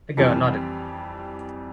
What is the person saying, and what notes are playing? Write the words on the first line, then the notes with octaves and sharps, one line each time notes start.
The girl nodded.
F2 E3 G3 C4